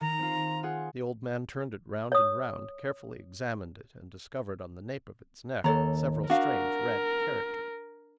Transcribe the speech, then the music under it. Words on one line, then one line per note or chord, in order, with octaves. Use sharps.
The old man turned it round and round, carefully examined it, and discovered, on the nape of its neck, several strange red characters.
D#3 A#5
C4 F4
F4 G#4 F#5
C#5 D#6
D#2 A4 C#5 A#5
D4 F#4 A#4 F5